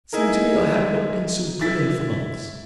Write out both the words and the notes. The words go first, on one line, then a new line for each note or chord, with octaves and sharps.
It seemed to me I had not been so brilliant for months.
D#4 E4 G#4 A#4
E4 A6 B6